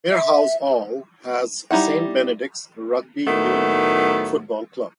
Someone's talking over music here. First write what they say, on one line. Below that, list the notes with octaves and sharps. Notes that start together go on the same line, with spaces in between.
Mirehouse all has St Benedicts Rugby Union Football Club.
E5
G3 D#4 E4 F#5
A2 D#3 F#3 A3 B3